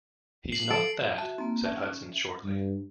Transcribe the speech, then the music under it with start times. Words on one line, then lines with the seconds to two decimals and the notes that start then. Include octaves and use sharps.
"He's not that," said Hudson shortly.
0.52 C7 F#7
0.70 A4 D7
1.18 F#4 E5 A5
1.38 A#3 C4 D#4
1.65 C#4 D5 E5 A5
2.42 G2